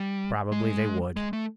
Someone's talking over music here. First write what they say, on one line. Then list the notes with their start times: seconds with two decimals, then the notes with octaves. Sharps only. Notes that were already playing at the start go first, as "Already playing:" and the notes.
Probably they would.
Already playing: G3
0.52 G#3
1.16 G#3
1.33 A3